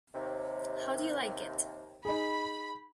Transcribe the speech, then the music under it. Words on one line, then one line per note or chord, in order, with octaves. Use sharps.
How do you like it?
D#2 C3
D#4 G#4 B5